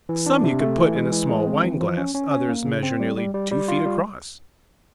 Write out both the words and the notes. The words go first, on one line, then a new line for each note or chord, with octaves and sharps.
Some you could put in a small wineglass, others measure nearly two feet across.
E3
D4
C3
A3
E3
G#3
E3
G#3
C4
E3
F3
C#4
C#4
C#4
A#3
C#3
C4
G3
G3
G3
G3
F4
G3